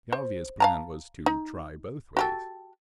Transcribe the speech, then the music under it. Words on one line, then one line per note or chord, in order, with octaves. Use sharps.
The obvious plan was to try both ways.
C5
F5 A5 A#5
D#4
F#4 G4 A4